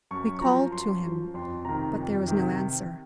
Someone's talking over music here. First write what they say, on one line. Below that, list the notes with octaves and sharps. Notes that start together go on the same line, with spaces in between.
We called to him but there was no answer.
F#2 C#6
F3 A#5
F#2 C6
F3
F2 C6
C3 D#3 A#5
F2
C3 D#3